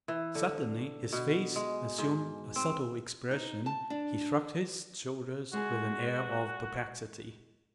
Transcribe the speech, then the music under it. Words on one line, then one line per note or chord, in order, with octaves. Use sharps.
Suddenly his face assumed a subtle expression, he shrugged his shoulders with an air of perplexity.
E3
D3
B2
G#3
G#2
C4
D#4
A5
D4
G#3 F#4 G#4